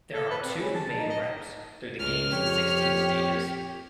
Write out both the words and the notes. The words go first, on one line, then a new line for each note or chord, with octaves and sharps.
There are two main routes through the game's sixteen stages.
A4
B4
C4
C#4
A5
D#4
D#5
C#2 F6
F2 G4 C#5